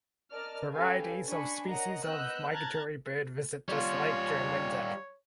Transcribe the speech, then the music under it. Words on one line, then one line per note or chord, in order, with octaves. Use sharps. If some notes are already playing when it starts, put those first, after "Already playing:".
Varieties of species of migratory bird visit this lake during winter.
A#4 D5 D#5 A5 F6
C#4 G4 A4 B4 F5 G#5
D4 G#5 B5 C#6
A#4 C#5 D#5 F#5 A#5
B3 D#5 E6 F#6 G6
A5 A#5 F6 F#6 G#6 A6
G3 F4 C#5